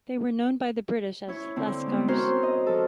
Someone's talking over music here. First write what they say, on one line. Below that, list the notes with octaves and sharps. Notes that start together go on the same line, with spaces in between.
They were known by the British as "lascars".
C#4 E4 C#5
D3 C4
G#3 B3 C4
C4 C#4 F#4 A#4 C5 C#5
D#5
F3 A4